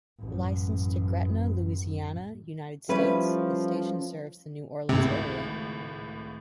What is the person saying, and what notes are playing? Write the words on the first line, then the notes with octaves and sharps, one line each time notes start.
Licensed to Gretna, Louisiana, United States, the station serves the New Orleans area.
A1 F#2
F3 G3 A3 C#4 E4 B4
G#1 C#2 A2 C3